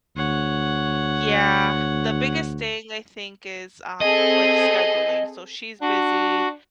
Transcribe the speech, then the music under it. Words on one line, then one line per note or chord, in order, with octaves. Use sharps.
Yeah, the biggest thing, I think, is, um, like, scheduling, so, she's busy,
D2 C#5 F#5
C4 G#4 A4 D#5
D4 F#4